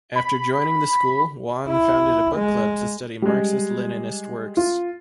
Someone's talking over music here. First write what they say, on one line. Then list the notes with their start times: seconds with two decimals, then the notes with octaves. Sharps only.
After joining the school Wan founded a book club to study Marxist-Leninist works.
0.16 B5
1.67 E4
2.34 G#3
3.22 G3 G#3
4.57 F4